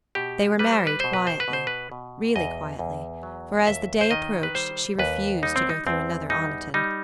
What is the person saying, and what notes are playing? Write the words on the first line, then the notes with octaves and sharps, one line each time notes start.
They were married quietly--really quietly, for as the day approached she refused to go through another Oniton.
B2 G4
G3 B4
C5
B4
B2 C5
B4
C5
B4
B2
C5
B4
B2
E2 D#5
E2
F#3
D#2 E5
C5
D#3 D#5
B4
G3 C5
D#2 B4
G3 D#4
C4
D#4
E2 C4
G3 D#4
G3 D#4